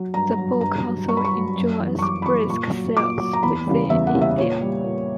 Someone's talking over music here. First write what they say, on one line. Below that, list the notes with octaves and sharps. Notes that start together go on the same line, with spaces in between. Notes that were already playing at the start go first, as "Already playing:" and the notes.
The book also enjoys brisk sales within India.
Already playing: F#3
G2 A#5
F#3
G2 A#5
F#3
G2 C#6
B5
C#6
F#3
F#2
E3 G3
C#6
F#2 D6
B5
E3 G3 C#6
A#2 C#6
F#3
A#2 D6
F#3
A#5
E2 B5
C#3 E3 G3
E2 E5
F#5
C#3 E3 G3
E5
A#2 C#5
G3
A#2